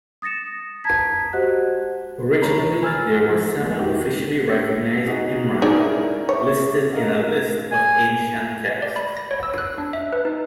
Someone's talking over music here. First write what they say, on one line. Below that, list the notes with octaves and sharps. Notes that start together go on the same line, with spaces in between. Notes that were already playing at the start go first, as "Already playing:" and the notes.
Originally there were seven officially recognised Immram listed in a list of ancient texts.
D#6 A6 A#6 C#7 E7
A5 A#5 G#6 B6
F#4 G4 C5 D#5 F#5 F#6
D2 C3 E3 C#5 A#5 B5
G#5 E6 F6 A6
F3
E2 G#3
D#4 F#4 G4
D#4 F#4 G#4
B2 D#4 G#4 D5
C#4 E4 A#4
C#5 E5 D6
A#4 D#5 F5
G#5
D5
B5
A#6
C#5
E6
F#6
D4
E5
B4
D#4